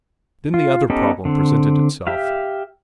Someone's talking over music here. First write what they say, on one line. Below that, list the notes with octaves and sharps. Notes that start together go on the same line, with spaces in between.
Then the other problem presented itself.
F4
B3 C#4 D#4 G4 A4
D3 C4
G4 E5 F5